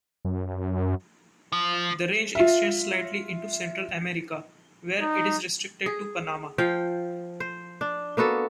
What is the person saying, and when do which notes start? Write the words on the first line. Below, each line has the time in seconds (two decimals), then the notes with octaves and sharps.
The range extends slightly into Central America, where it is restricted to Panama.
0.25 F#2
1.52 F3
2.35 F4 E5
5.01 D#4
5.86 G#4
6.58 F3 F5 G5
7.40 C5
7.81 D4
8.17 A#3 B3 F#4 A4